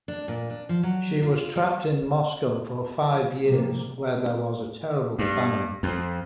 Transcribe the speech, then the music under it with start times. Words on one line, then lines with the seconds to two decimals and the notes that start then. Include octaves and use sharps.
She was trapped in Moscow for five years, where there was a terrible famine.
0.08 D4
0.28 A#2
0.50 D4
0.69 F3
0.83 F#3
1.23 F4
1.56 G3
3.09 F3
3.46 C3 F3 G3 A#3
5.19 G2
5.83 F2